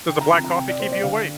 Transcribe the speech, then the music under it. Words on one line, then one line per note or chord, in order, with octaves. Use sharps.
Does the black coffee keep you awake?
D3 G5
A#5
F3 C4 A#5
A#5
C3 G5
D5
A#3 C5
D5
D3 F5